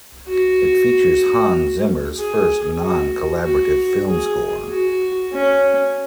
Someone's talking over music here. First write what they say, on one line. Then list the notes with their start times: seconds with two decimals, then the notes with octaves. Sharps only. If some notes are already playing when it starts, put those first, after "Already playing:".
It features Hans Zimmer's first non-collaborative film score.
0.28 F#4
2.18 G#4
2.81 F#4
3.43 F#4
4.07 G#4
4.70 F#4
5.33 C#4